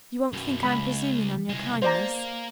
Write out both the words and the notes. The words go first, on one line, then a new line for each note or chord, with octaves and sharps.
"You won't think I am presuming on your kindness?"
F#2 B2
C#2 B5
C2 G#3
A#3 C5 D5 A#5